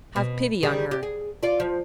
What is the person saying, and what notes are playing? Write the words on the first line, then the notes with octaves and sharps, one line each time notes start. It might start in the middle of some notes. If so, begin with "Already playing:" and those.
Have pity on her.
B2
D#3 G3 G#4
G4
G#4
F4 D5
F3